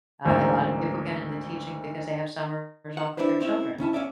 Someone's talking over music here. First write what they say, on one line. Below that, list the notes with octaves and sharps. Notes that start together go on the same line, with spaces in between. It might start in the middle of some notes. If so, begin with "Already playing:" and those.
Uh, a lot of people get into teaching because they have summers off with their children.
A1 D2 G#2 A#3 C5
F#5
D4 E4 G4 B4 C5
C4 C#4 E4
D2 C#4 E4 A5
A#3 C#4 C#5 D5 E5